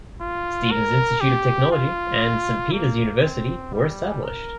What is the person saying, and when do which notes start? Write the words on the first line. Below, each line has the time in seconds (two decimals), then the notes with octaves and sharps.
Stevens Institute of Technology and Saint Peter's University were established.
0.21 F4
0.71 A#4
1.21 G4
1.71 F4
2.72 A#3
3.22 C4
3.73 G3
4.24 A#4